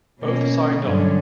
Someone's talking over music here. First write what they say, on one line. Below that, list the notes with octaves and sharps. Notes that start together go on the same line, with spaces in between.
Both signed on.
B2 A#3 C#4
G2 D3 F#3 C#4